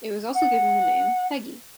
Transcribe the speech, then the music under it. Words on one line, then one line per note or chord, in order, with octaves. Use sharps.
It was also given the name "Peggy".
F#5